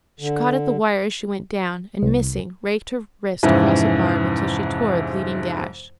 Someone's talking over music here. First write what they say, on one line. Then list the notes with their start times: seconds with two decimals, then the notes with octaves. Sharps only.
She caught at the wire as she went down, and missing, raked her wrist across a barb until she tore a bleeding gash.
0.20 D3
2.02 C2
3.43 F2 G#2 C3 E3 F3 C#4